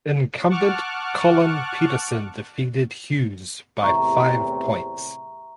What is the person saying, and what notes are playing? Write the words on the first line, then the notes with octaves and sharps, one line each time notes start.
Incumbent Collin Peterson defeated Hughes by five points.
F#5 A5 C#6 D6 F6 F#6
E2 A2 C3 E5 A#5 C#6